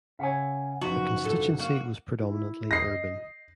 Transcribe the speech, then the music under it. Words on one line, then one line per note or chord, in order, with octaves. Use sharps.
The constituency was predominantly urban.
C#3 C#5 E5 F#5 G#5
F#1 F3 D#4 F#4 B4
A#2 D3 A4
A#3 F#4
E4
D#5 A#6 C7